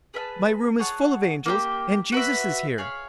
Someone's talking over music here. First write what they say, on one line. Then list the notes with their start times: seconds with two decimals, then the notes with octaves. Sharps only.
My room is full of angels and Jesus is here.
0.14 G#4 B4 E5 A5
0.79 G#4 C#5 F#5 A5
1.46 A#3 D4 G4
2.12 F#4 B4 E5
2.78 G#4 C#5 F5